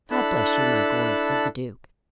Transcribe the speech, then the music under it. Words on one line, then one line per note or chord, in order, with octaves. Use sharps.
"God bless you, my boy!" said the Duke.
D4 E4 A4 A5 B5 F#6